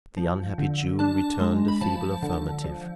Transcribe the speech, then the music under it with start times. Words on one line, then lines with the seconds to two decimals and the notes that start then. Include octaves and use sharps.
The unhappy Jew returned a feeble affirmative.
0.17 F3
0.58 D3
0.99 D4 A5
1.40 G#3
1.68 B5
1.81 F3 A5
2.23 D3
2.64 F3